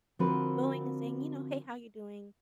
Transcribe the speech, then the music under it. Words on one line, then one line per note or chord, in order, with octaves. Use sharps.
going and saying, you know, "Hey, how you doing?"
D3 F3 C4 F#4 A#4 B4